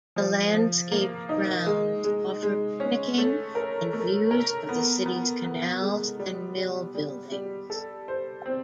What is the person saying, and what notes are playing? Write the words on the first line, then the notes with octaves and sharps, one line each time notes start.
The landscaped grounds offer picnicking and views of the city's canals and mill buildings.
F3
F3
A#3
D#4
G#3
G#3
G#3
C#4
A3
A#4
A3
A#4
B3
B3
B3
G#3
G3
G3
G3
G3
A4
C5
C4